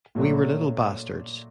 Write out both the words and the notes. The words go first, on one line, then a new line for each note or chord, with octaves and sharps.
We were little bastards.
A#2 F#3 A3 D4